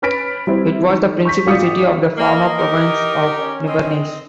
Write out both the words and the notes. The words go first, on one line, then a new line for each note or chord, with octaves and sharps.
It was the principal city of the former province of Nivernais.
C#4 B4 F6 A6 B6 D7
G3 C4 E4
D#3
C#6 G6 B6
G#1 F4 D5 D#6 C#7
A#3 D#5
D#4 G4 A#4
C#4
C4 D#5